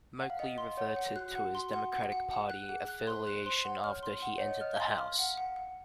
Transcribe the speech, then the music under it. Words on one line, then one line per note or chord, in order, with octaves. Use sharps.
Moakley reverted to his Democratic party affiliation after he entered the House.
F#5
F5
D#5 F#5
C6
C#5 F#5
F#5
F#4 F#6
F#5
C6
F#5
F#5
F#5
F#5
F#6
G#4 F#5
F#6
C5 C6
F#6
C5 C6
F#5
C#5 F6
C6
F#5
C#5 F#5
D#5
D#5 F6
F5
C6
F5 F6
F#5
F#5
F#5